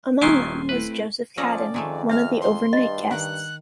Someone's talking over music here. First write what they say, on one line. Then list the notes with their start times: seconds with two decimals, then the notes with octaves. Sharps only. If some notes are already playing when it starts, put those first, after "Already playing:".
Among them was Joseph Cadden, one of the overnight guests.
0.22 D#1 D#3 F#3 E4 G#5 A5 C6
0.69 A3 C4 E4 B4
1.37 F3 C#4 A4 D5 D#5
1.74 F2 D#3 G#3 A3
2.09 E5 F6
2.41 C6
2.73 G2 D#5
3.11 D#3 F#6